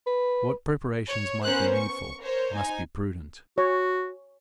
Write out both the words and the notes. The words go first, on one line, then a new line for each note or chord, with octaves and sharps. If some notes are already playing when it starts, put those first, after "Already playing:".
What preparations might be needful, must be prudent.
B4
C#5
B3 C#4 A#4 C5 F#6
C#6
A#4 C5 C#5
D#4 G#5
F#4 C#5